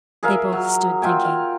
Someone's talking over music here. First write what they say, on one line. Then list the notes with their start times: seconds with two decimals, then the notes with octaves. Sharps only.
They both stood thinking.
0.23 G#4 A#4 E5 F5
0.52 F#3
1.02 F4 E5 G5 G#5
1.25 F5